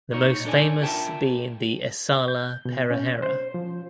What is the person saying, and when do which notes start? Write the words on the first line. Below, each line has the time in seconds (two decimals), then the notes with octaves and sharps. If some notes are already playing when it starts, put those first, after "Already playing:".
The most famous being the Esala Perahera.
0.11 A#2 D#4 C#5
0.45 D4 A4 D5 G#5
0.81 F4 A#4 E5 G5 A5
2.28 G6
2.65 B2
2.91 C#4
3.22 C5
3.54 F3